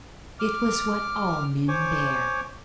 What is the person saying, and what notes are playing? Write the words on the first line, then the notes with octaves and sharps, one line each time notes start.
It was what all men bear.
D6 F6
C5 C#5 G#5 C#6 D6